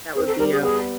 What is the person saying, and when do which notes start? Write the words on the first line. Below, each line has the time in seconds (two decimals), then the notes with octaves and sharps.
that would be a
0.15 C4 G#4
0.27 A4
0.39 G3 A#4
0.52 G#4
0.63 B3 G#4